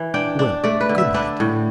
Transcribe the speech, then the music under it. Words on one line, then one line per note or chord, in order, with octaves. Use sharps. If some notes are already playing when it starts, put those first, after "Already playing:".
Well, good-bye, dear.
Already playing: E3
D4 G5
D4
A3 D5
B4
D3
E5
D4 B4
A2